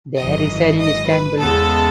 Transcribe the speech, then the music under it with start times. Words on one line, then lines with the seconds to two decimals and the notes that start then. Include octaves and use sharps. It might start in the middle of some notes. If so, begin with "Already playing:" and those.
They reside in Istanbul.
0.18 G#1 F#2 E3 D#5
0.79 D#5
1.09 B4
1.40 E2 C#3 G#3 B3 A4